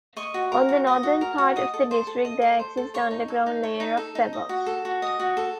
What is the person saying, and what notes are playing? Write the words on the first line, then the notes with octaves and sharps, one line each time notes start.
On the northern part of the district there exists underground layer of pebbles.
D#5 C#6
F#4
A#4
F#4
D#5
F#4
A#4
F#4
D#5 D#6
A4
C5
A4
D#5
A4
C5
A4
C#5 C#6
D#4
A4
D#4
C#5
D#4
A4
D#4
D#5
F#4
A4
F#4
D#5
F#4
A4